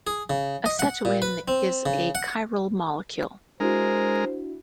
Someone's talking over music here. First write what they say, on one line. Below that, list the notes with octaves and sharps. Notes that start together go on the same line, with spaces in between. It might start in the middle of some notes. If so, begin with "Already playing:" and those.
Acetoin is a chiral molecule.
G#4
C#3
D#5
F#5
A#2
B4
C4
C#3
F#5
G#3 D4 E4 F#4 A#4 C5